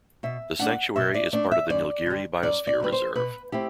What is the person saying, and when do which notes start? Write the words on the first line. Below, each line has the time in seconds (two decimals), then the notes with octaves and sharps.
The sanctuary is part of the Nilgiri Biosphere Reserve.
0.23 B2 E5
0.59 A3 D4 F#5
0.96 B2 E5
1.14 D5
1.33 A3 D4 D5
1.52 E5
1.70 F#2 D5
2.06 D3 G3
2.43 F#2 D5
2.67 D5
2.80 D3 G3 B4
2.92 C5
3.15 B2 B4
3.52 A3 C4 E4 G4